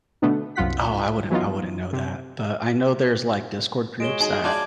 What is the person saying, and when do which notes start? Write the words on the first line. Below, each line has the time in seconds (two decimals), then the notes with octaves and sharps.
Oh, I wouldn't I wouldn't know that, but I know there's, like, Discord groups that
0.22 B2 D3 A3 B3 D4
0.55 C2 F#2 F4 F#5 B6
1.30 E3 F#3 B3 D#4 F4
1.93 C3
4.00 G#3 F#4 C#5 D7 E7 G7
4.20 D#4 F#4 G#4 D#5
4.44 F4 D5 A5 D6 G#6